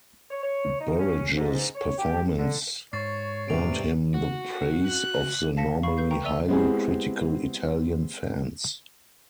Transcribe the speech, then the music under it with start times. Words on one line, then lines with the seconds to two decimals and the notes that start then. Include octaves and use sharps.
Burridge's performance earned him the praise of the normally highly-critical Italian fans.
0.31 C#5
0.43 C#5
0.81 D#4
0.99 C#4
1.37 G#2
1.75 C#5
1.98 G4
2.38 D3
2.93 G#2 C#5 C#6 A6 C7
3.48 G2 C3 D7 F7
4.14 F#4
4.86 F#6
5.57 F5 A5 A#6 B6 C#7
5.83 F5 B5 C#6 C7
5.97 A4 B4 G6 C7
6.11 G5 A#5 C#6
6.24 D5 E5 E6 D#7 F7 G7
6.48 G#3 B3 C4 E4 G4 G#4